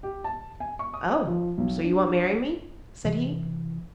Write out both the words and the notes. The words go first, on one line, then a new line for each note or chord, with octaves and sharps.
'Oh! so you won't marry me?' said he.
G4
A5
G#5
C#6
D#6
F3
B1
D4
C3 E3